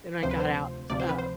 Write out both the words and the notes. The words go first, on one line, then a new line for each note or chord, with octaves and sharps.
Then I got out, uh,
D2 C3 F3 C5
B4
C5
D2 C3 F3 D5
C5
B4
C5